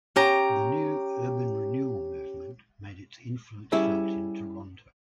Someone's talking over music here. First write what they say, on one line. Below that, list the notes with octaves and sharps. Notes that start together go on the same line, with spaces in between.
The new "urban renewal" movement made its influence felt in Toronto.
C#4 G4 A#5
G3 C#4 E4 G#4 E5